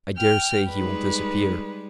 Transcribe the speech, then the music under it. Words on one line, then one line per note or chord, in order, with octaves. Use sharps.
I daresay he will disappear.
G5 F6
G3 G#3 D#4 B4